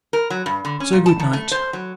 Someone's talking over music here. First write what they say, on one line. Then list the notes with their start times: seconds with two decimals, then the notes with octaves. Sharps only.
So good night.
0.13 A#4
0.30 F#3
0.46 G2
0.65 D3
0.80 C#4
0.93 A#2
1.06 A5
1.20 D#3
1.33 A3
1.51 C5
1.73 F#3